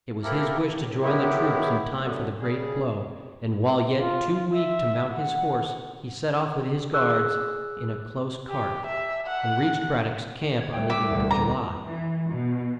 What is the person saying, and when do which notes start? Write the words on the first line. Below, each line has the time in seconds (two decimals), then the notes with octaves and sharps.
It was his wish to join the troops in time for the great blow, and while yet too weak to mount his horse, he set off with his guards in a close cart, and reached Brad-dock's camp on the eighth of Ju-ly.
0.23 A#3 C4 E4 G4 A4 A#4
0.69 A2 A3
1.01 D#3 F#3 G#3 B3 E4 G4
2.02 F#2 D3 F#3 A3 B3
2.40 C#3 G3 G#4
4.00 F4
4.53 E5
5.13 F#5
6.93 G#4 D6 E6 F#6
8.50 G4
8.86 E5
9.27 F#5
10.61 G#6
10.73 C2 G5
10.90 E5 D6
11.11 E1 D2
11.31 A#5
11.86 E3
12.30 B2